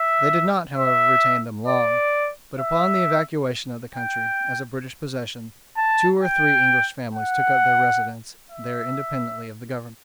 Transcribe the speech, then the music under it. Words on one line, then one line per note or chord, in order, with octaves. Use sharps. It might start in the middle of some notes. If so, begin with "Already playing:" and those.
They did not, however, retain them long; but, upon the evacuation of the country as a British possession, two or three English families took up their residence there independently of the Government.
Already playing: E5
E5
D5
E5
G5
A5
G5
F#5
E5